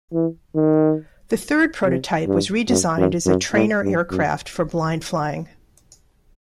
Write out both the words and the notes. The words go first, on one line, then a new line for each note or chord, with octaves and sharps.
The third prototype was re-designed as a trainer aircraft for blind flying.
E3
D#3
C3
G2
F#2
F#2
F#2
A2
G2
F#2